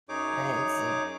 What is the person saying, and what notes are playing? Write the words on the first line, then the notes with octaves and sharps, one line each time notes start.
Prince and,
F#2 D#4 G#4 C#5 D6